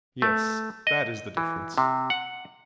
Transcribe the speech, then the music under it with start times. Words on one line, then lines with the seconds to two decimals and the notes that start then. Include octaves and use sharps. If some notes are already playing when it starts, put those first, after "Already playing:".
Yes, that is the difference.
0.22 A3
0.87 D#5
1.37 E3
1.77 C3
2.10 F#5